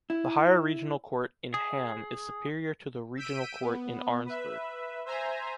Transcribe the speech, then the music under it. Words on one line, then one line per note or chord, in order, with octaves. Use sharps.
The Higher Regional Court in Hamm is superior to the Reginal Court in Arnsberg.
E4
G#4
E6 G6 B6 D7 D#7
B3
B4 E5
C5 E5 G#5 A#5